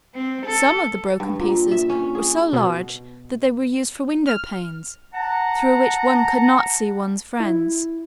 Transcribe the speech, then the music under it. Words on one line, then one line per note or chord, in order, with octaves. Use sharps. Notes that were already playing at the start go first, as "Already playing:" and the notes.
Some of the broken pieces were so large that they were used for windowpanes, through which one could not see one's friends.
C4
A4
G2
A#2
E5
C#4
G#4
B2
F6
F#5 A5 A#5
E4